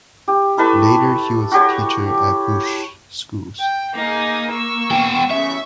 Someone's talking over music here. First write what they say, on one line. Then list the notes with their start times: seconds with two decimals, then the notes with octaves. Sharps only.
Later he was a teacher at bush schools.
0.28 G4
0.57 E4 A4 B4 C#6
1.52 F#4 G4 C#5
3.59 G5
3.95 A#3 D#4 G#4
4.51 C#6 E6
4.91 B3 G5
5.30 E2 C#3 E5 C#6